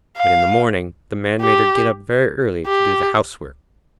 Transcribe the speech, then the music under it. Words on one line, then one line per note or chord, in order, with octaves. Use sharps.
But in the morning the Man made her get up very early to do the housework.
F5
G4
G4